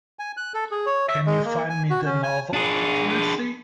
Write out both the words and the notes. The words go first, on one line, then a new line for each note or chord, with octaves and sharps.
Can you find me the novel, Literacy?
G#5
F#6
A4
G#4
C#5
E5
G#3
A#3
G#5
F#4
C#4
G#5
D4 G#4